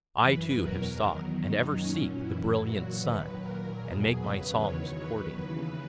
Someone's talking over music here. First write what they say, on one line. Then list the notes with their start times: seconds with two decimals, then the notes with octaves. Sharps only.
I too have sought, and ever seek, the brilliant sun, and make my songs according.
0.20 F#2 E3 B4
0.60 E2 B2 F#3 A#4
0.99 E2 D#3 F#3
1.40 F#2 D#3 F#3 D#4
1.79 A#2 F#3 C#4
2.19 F#2 E3 E4
2.59 A#2 F#3 F#4
2.99 D#2 D#3 F#3 B4
3.39 A#2 F#3 A#4
3.78 E2 B2 F#3 G#4
4.18 E2 C#3 F#3 B4
4.58 E2 D#3 F#3 C#5
4.98 E2 D#3 F#3 B4
5.38 D#2 C#3 E3 B4